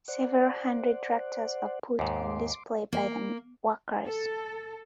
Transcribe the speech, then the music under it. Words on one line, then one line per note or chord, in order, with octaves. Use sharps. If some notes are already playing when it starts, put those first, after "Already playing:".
Several hundred tractors are put on display by the workers.
C5 D5 F#5
D#2 G#2 C6 D6
A#3
A4